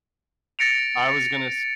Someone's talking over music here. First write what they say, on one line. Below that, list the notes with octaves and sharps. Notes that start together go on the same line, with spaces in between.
I was gonna s
A6 A#6 C#7 D7 F7